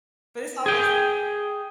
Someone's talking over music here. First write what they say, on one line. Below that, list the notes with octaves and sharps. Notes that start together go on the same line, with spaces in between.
But it's always
G#4 G5